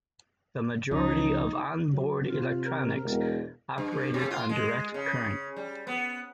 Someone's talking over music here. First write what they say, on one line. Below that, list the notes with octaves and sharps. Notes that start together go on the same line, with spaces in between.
The majority of onboard electronics operated on direct current.
C#2 C#3 F3 D#4
F#3
C3 F4
A#4
E1
G2
C3
F4
G#3
C#3
G3
B3